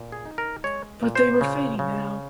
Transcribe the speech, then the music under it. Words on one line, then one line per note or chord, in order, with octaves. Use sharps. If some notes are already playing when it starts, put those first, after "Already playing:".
But they were fading now.
Already playing: A#2
G#4
D#4
A#4
G#3 C#5
A#2
C5
C#3
C#3